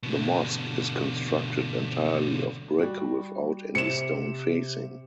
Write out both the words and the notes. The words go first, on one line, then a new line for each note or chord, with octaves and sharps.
The mosque is constructed entirely of brick without any stone facing.
B2 D3
G3 F#4
C3 C#7 E7